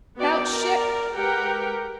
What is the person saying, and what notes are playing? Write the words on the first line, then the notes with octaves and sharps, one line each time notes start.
Bout ship.
B3 F#4 D5 G5
A#4 D5
G#3 G4 A#4 B4 F#5 G5